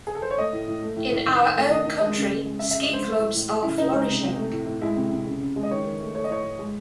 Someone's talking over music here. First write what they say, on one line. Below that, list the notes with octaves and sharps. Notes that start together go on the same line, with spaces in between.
In our own country ski clubs are flourishing.
G#4
A4
C5
C#5
A3 D#5
A2
A2
A3
A2
A2
D#3
D#3
A3
D#3 D#5
D#3
G#3
C#3
C#3
G#3
C#3 E5
E5
C#3
D#5
G#3 C5
A3
A2
A2
A3 G#4
C#3 E4
C#3 D#4
G#3 D#4
C3
C3
A3
A2
A2
G#3 E4
C3
C3
C#3
C#3
G#3
D#5
D#3 C#5
D#3
A3
A3 C#5
D#5
A2 C#5
A2
G#3